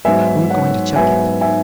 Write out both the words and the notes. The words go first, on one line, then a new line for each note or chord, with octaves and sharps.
We're going to chuck it.
G#2 F#3 B3 E5 G#5
C#5 F#5
G#2 F#3 B3 E5 G#5
E5 G#5